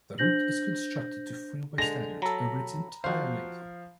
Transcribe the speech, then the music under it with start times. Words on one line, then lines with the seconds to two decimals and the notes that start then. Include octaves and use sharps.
The route is constructed to freeway standards over its entire length.
0.18 D4 C5 G6 A#6 F#7
1.78 D3 G#3 A#6 F7
2.22 F#3 A4 A#5 B5
3.04 F3 F#4 C5 F5